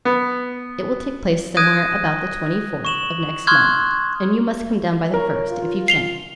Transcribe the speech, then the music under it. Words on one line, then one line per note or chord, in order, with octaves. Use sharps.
It will take place somewhere about the twenty-fourth of next month; and you must come down by the first, if you can.
B3
D#6 F#6 G#6 A#6 D7 D#7
C#6 E7 F#7
C6 C#6 D#6 F6 F#6 G#6
A#4 C#5
F4
C7 F7 G7